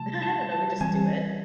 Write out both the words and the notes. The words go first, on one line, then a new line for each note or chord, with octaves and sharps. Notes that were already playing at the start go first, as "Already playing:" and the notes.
I don't know- we just do it.
Already playing: C3 F3 A3 A5
A5
A5
E3 G3 C4 G#5